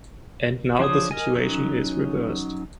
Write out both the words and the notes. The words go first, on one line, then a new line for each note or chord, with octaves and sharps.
And now the situation is reversed.
F3 D4 C5 C#5 D#6
A#4 D#5 G#5
F#3 C#4 D#4